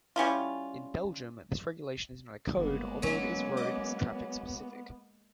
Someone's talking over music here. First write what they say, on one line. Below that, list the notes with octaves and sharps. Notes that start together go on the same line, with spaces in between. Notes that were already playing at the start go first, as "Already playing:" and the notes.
In Belgium this regulation is not a code although it is road traffic specific.
G3 C#4 E4 F4
G1 G#3 A#3 B3
F#3 C#4
D#5 D6